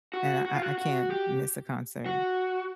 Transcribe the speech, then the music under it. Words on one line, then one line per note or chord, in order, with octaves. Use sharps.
and I I can't miss a concert,
F#4
F#4
F4
F#4
F#4
G4
F#4